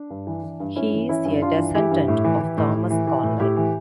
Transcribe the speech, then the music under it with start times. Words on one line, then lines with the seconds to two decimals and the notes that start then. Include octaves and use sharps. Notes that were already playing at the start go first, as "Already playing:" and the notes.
He is a descendant of Thomas Cornell.
Already playing: D4
0.10 G2
0.27 E3
0.43 E3
0.60 G2
0.76 G2 C#4 E4
0.93 E3
1.09 E3 C#4 E4
1.25 G2
1.42 G2 D4 F4
1.58 E3
1.75 E3 E4 G4
1.91 G2
2.08 A2
2.24 E3
2.41 E3
2.57 A2
2.74 A2
2.90 E3
3.07 E3
3.23 A2
3.40 A2 E4 G4
3.56 E3